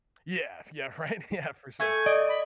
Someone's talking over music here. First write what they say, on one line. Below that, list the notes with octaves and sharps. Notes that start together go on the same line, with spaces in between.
Yeah, yeah, right, yeah, for sure,
A3 G#5
D5 D#5
B5